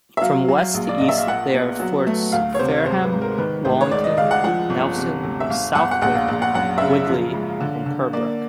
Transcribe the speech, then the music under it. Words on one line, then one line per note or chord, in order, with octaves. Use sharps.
From west to east they are forts Fareham, Wallington, Nelson, Southwick, Widley and Purbrook.
E5
F#3 F5
F#3
A#1
D5
A#1 D#5
E5
F5
A#2 F#5
B3
F#3
A3
D2 F5
C#5
C3 C5
G#1 C5
B4
G#2
A#4
D#3 B4
A1 C5
C#5
C#2 D5
D#5
C#2 F5
F#5
F3 F#5
G1
C3
D2
E5
G1 F5
G1 F#5
F#5
A#1 F#5
F5
A#1
F#5
F#2 F#5
E5
C#3 F5
F3
G#2
D3
D3
A#3 D5